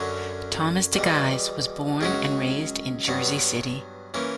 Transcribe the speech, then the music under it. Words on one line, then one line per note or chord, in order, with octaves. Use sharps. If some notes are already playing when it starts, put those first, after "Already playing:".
Thomas DeGise was born and raised in Jersey City.
Already playing: F#2 D3 F#3 C#4
E2 B2 G3
C#2 C#3 F#3 C#4 F#4
G2 F#3 B3
E3 A#3 C#4